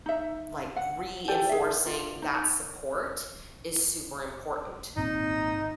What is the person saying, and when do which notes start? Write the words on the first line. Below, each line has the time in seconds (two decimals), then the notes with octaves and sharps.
like, reinforcing that support is super important.
0.06 D#4 E5
0.76 F#5
1.28 G4 A4 D5 G#5
1.49 G#4 E5
1.86 F4
2.22 D#4
4.96 G#1 A#2 C4 D#4